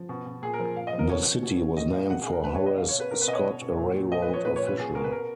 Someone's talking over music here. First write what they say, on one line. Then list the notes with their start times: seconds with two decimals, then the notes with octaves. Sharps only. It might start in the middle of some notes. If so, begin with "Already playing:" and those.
The city was named for Horace Scott, a railroad official.
Already playing: F3
0.09 B2
0.26 B2
0.42 A#2 G#4
0.54 A#4
0.59 F3
0.76 A#2 F5
0.87 D#5
0.93 F3
0.99 A#4
1.09 B2 C#5
1.27 B2
1.43 B2
1.59 B2
1.77 A#2 D#5
1.93 A#2 F5
2.10 B2 F#5
2.21 G#4
2.27 B2
2.32 A#4
2.44 B2 B4
2.55 C#5
2.60 B2
2.66 D#5
2.77 B2 F5
2.88 C#5
2.94 B2
3.00 B4
3.11 B2 A#4
3.21 B4
3.28 B2 D#5
3.33 C#5
3.44 B2
3.62 B2
3.77 A#2
3.95 A#2
4.11 F3 D#5
4.22 B4
4.29 F3 C#5
4.45 A#2 B4
4.56 C#5
4.62 A#2 B4
4.78 B2 G#4
4.95 B2 A#4
5.04 B4
5.12 B2 A#4